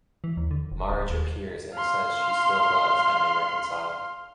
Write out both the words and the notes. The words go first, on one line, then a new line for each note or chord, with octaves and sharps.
Marge appears and says she still does and they reconcile.
E3
D#2
D3
F1
D1
D#2
F5 C6